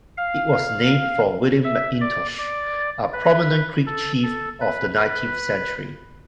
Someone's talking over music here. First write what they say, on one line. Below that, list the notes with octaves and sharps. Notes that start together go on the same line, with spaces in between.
It was named for William McIntosh, a prominent Creek chief of the nineteenth century.
F5
E5
D5
D5
B4
A4
A4
B4
B4